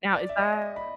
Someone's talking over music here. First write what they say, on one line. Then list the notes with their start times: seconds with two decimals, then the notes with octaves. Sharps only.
Now, is that
0.14 D5
0.29 E5
0.37 D#5
0.76 B5